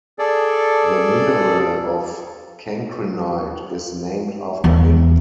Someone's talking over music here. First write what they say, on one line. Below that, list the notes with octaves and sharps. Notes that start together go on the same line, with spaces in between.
The mineral of cancrinite is named after him.
G#4 A4 D5
E2